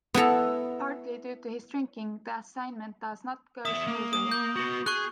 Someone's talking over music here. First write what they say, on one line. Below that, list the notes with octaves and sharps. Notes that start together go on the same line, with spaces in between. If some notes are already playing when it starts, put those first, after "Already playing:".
Partly due to his drinking, the assignment does not go smoothly.
B3 E4 A4 A#5
E2 E5 D#6
A#3
D#6
G6
B3 F#4
G#4 C#6 F#6